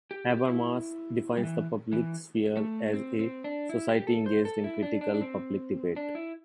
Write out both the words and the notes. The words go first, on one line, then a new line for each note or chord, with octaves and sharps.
Habermas defines the public sphere as a "society engaged in critical public debate".
G4
G4
E4
G3
E3
E3
A3
C4
C4
D4
E4
G4
A4
C5
A4
E4
D4
D4
D4
C4
D4
E4